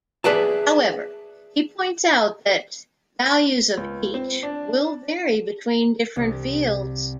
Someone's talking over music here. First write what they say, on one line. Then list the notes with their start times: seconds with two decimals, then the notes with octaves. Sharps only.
However, he points out that values of h will vary between different fields.
0.24 G#4 B4 D5 E5 A5
3.77 C#2
4.14 C4
4.43 D4
6.16 C2